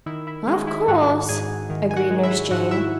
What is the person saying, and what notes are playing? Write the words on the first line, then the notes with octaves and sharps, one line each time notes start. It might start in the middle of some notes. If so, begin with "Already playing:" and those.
"Of course," agreed Nurse Jane.
D#3 E4 E5
E4 E5
G#3 D#4 D#5
E4 E5
G#2 F#4 F#5
G#2 G#4 G#5
D#3
G#5
F#4 F#5
G#3
E4 E5
G#2 F#4 F#5
E4 E5